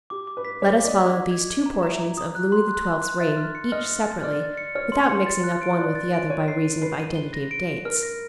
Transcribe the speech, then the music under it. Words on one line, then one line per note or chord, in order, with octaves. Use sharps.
Let us follow these two portions of Louis XII.'s reign, each separately, without mixing up one with the other by reason of identity of dates.
G4 D6
D6
B4
B6
C#5 D6
D5 D6
D#5
D6
G#6
G#6
G#6
A#5
A#5
E5
A#5
D#6
F#6
C6
F#6
F#6
F#6
E5 A6
F6
C#7
D#5 F6
F6
A6
D5 F6
A6
C#7
C#5 F6
C6
C#7
A6
F#6
D7
D5 F#6
A6
D7
C#5 D#7
C7
D#7
B4 C7
D#7
G7
A#6
D7
D7
A#4 F6
A#6